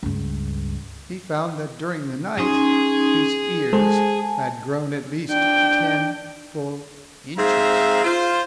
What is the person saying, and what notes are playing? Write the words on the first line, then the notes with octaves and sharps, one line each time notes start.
He found that, during the night, his ears had grown at least ten full inches!
C#2 G2
C#4 D#4 G#4 C6
G#3 A4 C5 G#5 A5
D4 G5
G#2 C4 G#4 E5 F5 A#5
F4 C5